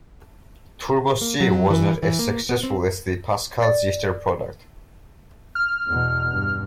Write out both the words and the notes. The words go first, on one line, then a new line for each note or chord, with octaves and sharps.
Turbo C was not as successful as the Pascal-sister product.
A#3
F#3
E3
E3
A#3
B3
C4
D5
F6
E2 B2
G2